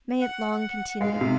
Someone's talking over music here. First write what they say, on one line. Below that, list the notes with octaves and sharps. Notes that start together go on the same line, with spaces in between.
May it long continue!
F#5
G#3 F5
C3